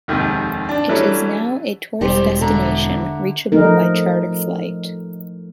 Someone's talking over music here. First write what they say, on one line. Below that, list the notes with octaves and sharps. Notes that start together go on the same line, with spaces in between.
It is now a tourist destination reachable by charter flight.
F1 D#2 G#2 C3 D#3
D4
E3 F#3 G3 A3 C#4 D4
E1 G3 G4 C5
D3 E5 A#5
F3 A3 D#4 A#4